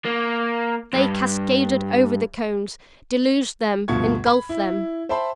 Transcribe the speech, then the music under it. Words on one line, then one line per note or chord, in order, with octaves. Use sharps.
They cascaded over the cones; deluged them; engulfed them.
A#3
E2 G2
D2 G2 B2 F4 C#6 G#6
B5
E4
C5 E5 G5 A5 B5 C6